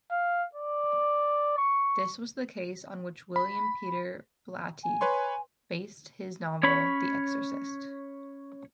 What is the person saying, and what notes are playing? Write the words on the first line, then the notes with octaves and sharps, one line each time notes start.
This was the case on which William Peter Blatty based his novel "The Exorcist".
F5
D5
C#6
B5
G#5
B4 C#5 C6
C#4 C#5 B5